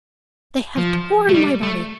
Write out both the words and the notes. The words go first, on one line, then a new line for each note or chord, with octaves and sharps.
They have torn my body.
F3
A3
G3
A3